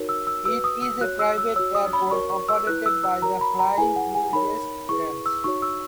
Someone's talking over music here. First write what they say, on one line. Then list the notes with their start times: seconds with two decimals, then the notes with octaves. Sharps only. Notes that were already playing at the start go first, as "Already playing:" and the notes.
It is a private airport operated by the Flying U Guest Ranch.
Already playing: D#4 F#4 A#4 C#5
0.09 E6
0.27 E6
0.45 F#4 E6
0.48 B4
0.64 D#6
0.82 E6
1.01 F#4 C#5 F#6
1.19 E6
1.38 E6
1.56 C#5 E6
1.59 F#4
1.75 D#6
1.93 B5
2.11 F#4 A#4 C#5 C#6
2.30 C#6
2.49 E6
2.67 E4 B4 F#6
2.86 E6
3.03 E6
3.22 F#4 A#4 C#5 A#5
3.41 B5
3.59 A#5
3.78 E4 G#4 B4 G#5
3.96 F#5
4.15 G#5
4.33 D#4 A#4 C#5 B5
4.89 E4 G#4 B4 C#6
5.26 E6
5.44 D#4 F#4 C#5 C#6
5.62 E6